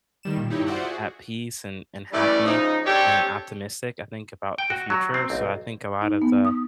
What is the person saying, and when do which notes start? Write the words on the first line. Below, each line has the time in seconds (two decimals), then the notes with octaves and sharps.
um, at peace and and happy, and optimistic, I think, about the future so, I think a lot of the,
0.23 D#3 G3 E7
0.37 A#2
0.50 D#4 E4 G4 C#5
0.67 F4 F#4 C5 D5 E5 F#5
0.84 F#4 G#4
2.12 E3 G3 A3 C#4 D5
2.44 C#3 F3 D#4
2.85 C4 D4 G4 A4 C#5
4.58 G5
4.70 F#4
4.90 F#3
5.14 C4
5.30 B1
6.02 D#4
6.22 B3
6.45 D#6